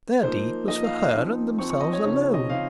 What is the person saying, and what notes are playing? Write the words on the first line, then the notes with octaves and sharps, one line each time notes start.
Their deed was for her and themselves alone.
F3 A#3 D#4 C5
F3 A#3 D#4 D#5
F5
F5
F3 C4 D#4
F3 C4 D#4 C#6
C#6
D#5
C#5
C#3 F3 C4 D#4 C#5
D#5
C#3 F3 C4 D#4 F5